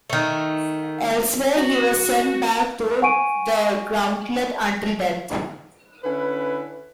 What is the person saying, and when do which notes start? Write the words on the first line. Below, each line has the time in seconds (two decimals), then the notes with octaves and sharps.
Elsewhere, he was sent back through the gauntlet until death.
0.10 D#3 A3
1.57 F#4
3.02 F#5 G#5 C#6 D7 D#7
6.04 D3 C#4 E4 B4